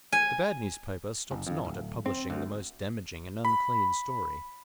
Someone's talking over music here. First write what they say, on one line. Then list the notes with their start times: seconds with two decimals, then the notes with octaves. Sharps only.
The bad newspaper stops not at publishing the most damaging and unclean story.
0.12 G#5
1.31 F#1
1.47 F2
1.65 D1
2.06 C4
2.30 D2
3.45 B5